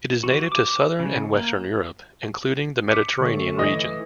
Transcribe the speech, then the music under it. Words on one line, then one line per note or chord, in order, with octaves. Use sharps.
It is native to southern and western Europe including the Mediterranean region.
E3 F#4
D6
C#3
A#3
D6 B6 C#7
D3 A3 C#5 C#6
E3 D#5